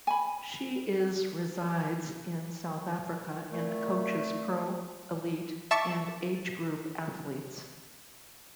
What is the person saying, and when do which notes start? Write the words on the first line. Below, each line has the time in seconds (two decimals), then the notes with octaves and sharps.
She is resides in South Africa and coaches pro, elite and age group athletes.
0.07 G#5 B5
3.51 A#2 A3 C4
5.71 E5 A5 C#6 D6 A6 C#7